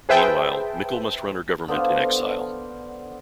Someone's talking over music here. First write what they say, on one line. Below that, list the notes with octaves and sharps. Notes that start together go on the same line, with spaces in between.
Meanwhile, Mickle must run her government in exile.
G#4 B4 C5 E5 G5 A5
D3 B3 C5 F5